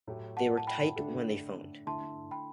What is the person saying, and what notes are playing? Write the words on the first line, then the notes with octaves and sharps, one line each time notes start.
They were tight when they phoned.
A2 F#3 A3 E4 G4
F#5 A5
A5
G5 B5
D3 A3 D4 A4
D3 A3 E4 A5 C6
G5 B5